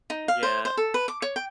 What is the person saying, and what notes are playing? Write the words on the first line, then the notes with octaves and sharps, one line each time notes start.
Mm yeah.
D#4
F5
C5
C5
A4
B4
D6
C#5
G5